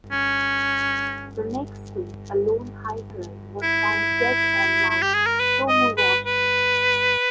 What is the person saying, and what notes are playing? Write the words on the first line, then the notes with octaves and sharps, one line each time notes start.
The next day a lone hiker was found dead on Mount Tomuraushi.
C#4
E4
E4
G4
G#4
A#4
B4
D#5
B4
B4